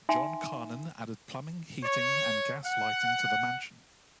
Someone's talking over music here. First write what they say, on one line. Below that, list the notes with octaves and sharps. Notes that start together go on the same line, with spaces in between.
John Carnan added plumbing, heating, and gas lighting to the mansion.
D#4 E5 G5 G#5 C6
C#5
F#5